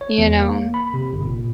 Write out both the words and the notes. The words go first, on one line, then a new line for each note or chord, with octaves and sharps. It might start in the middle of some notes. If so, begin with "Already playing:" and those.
You know?
C#5
E2
A#3
B5
C3
G1
A#2